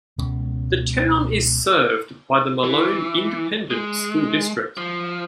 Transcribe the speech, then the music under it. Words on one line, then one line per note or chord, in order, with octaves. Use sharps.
The town is served by the Malone Independent School District.
C#2 B2 G#3 C#4
E3
G#3
F3